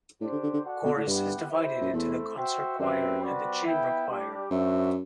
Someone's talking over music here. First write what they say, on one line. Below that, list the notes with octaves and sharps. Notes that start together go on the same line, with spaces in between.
Chorus is divided into the concert choir and the chamber choir.
A2 D4 G4 C5
D3
D3
D3
F#4 A4 D5 F#5
B2
A2
G2 B3 E4 G4 B4 F#5
E4 G4 C5 E5
F#2
E2 A3 C4 E4 A4
F#4 C5 E5 G5
F#2 C4 G4 B4 E5
G3 C4 F#4 B4 D5
B3 E4 B4 E5 G5
G3 D4 G4
F#2 D4 F#4 C5 E5